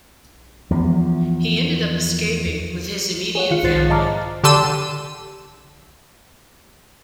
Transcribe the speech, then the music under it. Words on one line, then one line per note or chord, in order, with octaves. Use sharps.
He ended up escaping with his immediate family.
E2 F3
G#4 C#5 F#5
D#3 F4 F5 F#6 C#7
B1 G#2 F4 C5 A6 C7
D#5 A5 A#5 D6 F6
D3 G4 A5 C6 E6 D#7